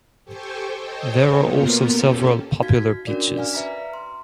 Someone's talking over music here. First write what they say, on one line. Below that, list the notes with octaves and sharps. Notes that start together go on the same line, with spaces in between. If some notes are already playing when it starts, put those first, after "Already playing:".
There are also several popular beaches.
G4 A4 C5 G5 G#5 C#6
A4 C5 C#5 D#5 G5
B2 A#3 B3 F4 A#4
C#4 G4 A4
D#4 F#4 F5 G#6 B6
C#4 D4 F#4 A#4 D5
D5 F5 G#5 F6
B4 E5 A#5 B6
C6